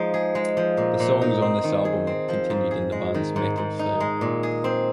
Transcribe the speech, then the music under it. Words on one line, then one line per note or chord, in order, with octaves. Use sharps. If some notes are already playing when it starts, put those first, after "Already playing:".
The songs on this album continued in the band's metal style.
Already playing: F3 G#3 D#4
G#4
G#3
F3
A#2
A#2
D#4
C4
D#3
G#4
C4
F3
G#2
G#4
G#3
D#3
G#2
G#2
D#4
G#3
A#2
G#4
C4